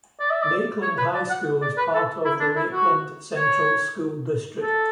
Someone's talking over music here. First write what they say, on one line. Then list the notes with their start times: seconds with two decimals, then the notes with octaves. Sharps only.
Lakeland High School is part of the Lakeland Central School District.
0.20 D5
0.30 E5
0.42 D5
0.82 C#5
0.98 B4
1.14 D5
1.30 F#5
1.62 D5
1.77 B4
1.94 A4
2.25 E4
2.40 D4
2.56 E4
2.72 F#4
3.35 C#5
4.62 A4